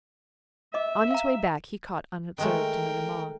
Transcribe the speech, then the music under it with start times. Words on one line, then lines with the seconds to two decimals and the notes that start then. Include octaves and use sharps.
On his way back he caught unobserved another moth.
0.74 D#5 E5 D6
1.11 F5 A#5
2.38 D#3 G#3 A3 A#4 G5